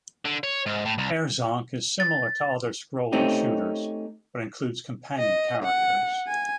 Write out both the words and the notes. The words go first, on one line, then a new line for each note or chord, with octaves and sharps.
"Air Zonk" is similar to other scrolling shooters, but includes companion characters.
D3
C#5
G#2
A2
C2
A6
A3 C4 C#4 D#4 G4
D#5
F#5
G#5